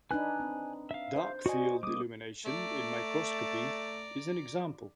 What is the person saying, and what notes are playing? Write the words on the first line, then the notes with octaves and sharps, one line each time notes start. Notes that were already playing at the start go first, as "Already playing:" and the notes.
Dark-field illumination in microscopy is an example.
D4 D#4 B4 G#5 F#6
C4
E5 F5
C5
F#4 D5 D#5 G#5
G3 A#3 D6 D#6
A3 D5 A#5